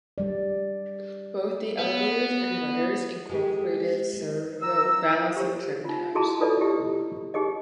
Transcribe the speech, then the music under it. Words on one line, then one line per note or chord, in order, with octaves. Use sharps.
Both the elevators and rudders incorporated servo-balancing trim tabs.
G3 D5
B3
G#3 G4
F#2 A#5 E6
G4 C5
D#4 F4
E4 F#4 G#4 D#5 A5 A#5
D#4 F4 A4 B4 D5 D#5
E4 G4 D#5
D#4 G4 G#4 D#5